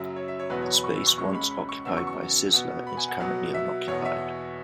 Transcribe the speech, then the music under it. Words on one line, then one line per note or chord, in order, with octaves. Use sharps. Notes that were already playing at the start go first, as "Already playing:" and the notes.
The space once occupied by Sizzler is currently unoccupied.
Already playing: F#2 C#3 F#3 E5
C#5
E5
C#5
E2 B2 F#3 B3 B4
C#5
B5
C#6
E6
C#6
C#2 C#3 G#3 C#4 C#6
B5
B5
C#6
E2 C#3 F#3 B3 E6
C#6
C#6
B2 B3
B5
G#5
F#5
B2 F#3 B3
E5
E2 B2 B3 C#5
E5